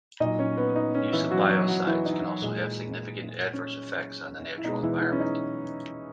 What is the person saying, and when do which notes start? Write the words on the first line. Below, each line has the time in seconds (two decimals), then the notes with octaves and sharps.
The use of biocides can also have significant adverse effects on the natural environment.
0.20 A#2 F#3 D#4 D#5
0.39 C#4 C#5
0.57 B3 B4
0.76 D#4
0.95 C#4
1.12 E3 E4
1.31 F#3 F#4
1.49 F#3 F#4
1.68 F#3 F#4
1.87 E3 E4
2.06 D#4
2.42 A#2 G#3
3.53 C#4
4.58 E4
4.64 B2 G#3 D#4
4.83 E3 E4
5.01 E3 E4
5.12 C#4
5.20 D#4